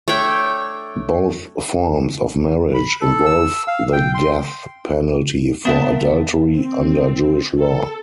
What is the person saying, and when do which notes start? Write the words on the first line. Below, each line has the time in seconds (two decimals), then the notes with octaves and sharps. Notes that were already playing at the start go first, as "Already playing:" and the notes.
Both forms of marriage involve the death penalty for adultery under Jewish Law.
0.08 A3 D4 C#5 G5
2.74 B5
3.01 A4
3.26 E6
3.68 F5
3.93 G5
4.15 C6
5.65 A#3 B3 E5 A5
6.55 C4
7.59 A4